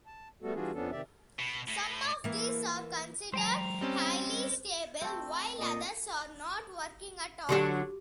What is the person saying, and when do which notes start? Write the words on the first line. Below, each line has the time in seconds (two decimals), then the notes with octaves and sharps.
Some of these are considered highly stable while others are not working at all.
0.06 A5
0.42 G3 A3 B3 F#4 A4
0.54 E3 G3 D4 F4 F#4 G#4
0.73 F2 F3 B3 C#4 D4 A4
0.92 C3 D#3 G4 D5 E5
1.39 B2
1.68 A2
2.24 E3 A#3
3.34 F#3 G#3 C5 G5 A#5
3.81 G3 C4 C#4 D#5 C6
5.01 A3 C4
5.59 A#2 D5 D#5
7.49 D3 F#3 D4 F#4 G4 D6